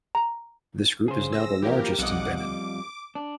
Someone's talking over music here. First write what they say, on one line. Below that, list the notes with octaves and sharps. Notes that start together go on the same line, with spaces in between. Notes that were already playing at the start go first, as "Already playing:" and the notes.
This group is now the largest in Benin.
A#5
C#3 G#4 C5
E6 A#6
E3 F3 A#3 G4 A#4
B1 F2 G3 D#5 F#5 D6
D6
D4